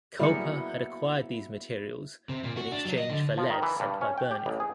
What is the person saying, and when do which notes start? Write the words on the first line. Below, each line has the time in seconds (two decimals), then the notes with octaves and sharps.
Culper had acquired these materials in exchange for lead sent by Birnie.
0.19 F#3 G3 A#3 B3 E4 F#4 G#4 C#7
2.29 C3
2.44 A#2
2.57 F#4
2.72 D4
2.85 F#3
2.98 D#5
3.10 D3
3.37 F3
3.50 D#3
3.62 E3
3.80 G2
4.01 C#4
4.18 G5
4.31 G4
4.46 A1
4.60 G#4